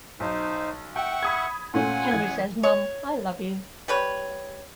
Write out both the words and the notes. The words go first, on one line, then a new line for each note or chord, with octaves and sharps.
Henry says, Mom, I love you.
B1 D#4 C5
E5 F#5 G5 C#6
B5 D#6 G#6
A#2 A3 C#4 F#5 G#5
A1 G#6
C#5
G3 B4 C#5